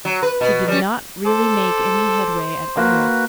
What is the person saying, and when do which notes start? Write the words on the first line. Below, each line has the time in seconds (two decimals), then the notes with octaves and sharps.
She did not really make any headway at all.
0.05 F#3
0.23 B4
0.41 B2
0.68 G3 C#4
1.26 A4 C5 D6
2.77 A#3 F#4 B4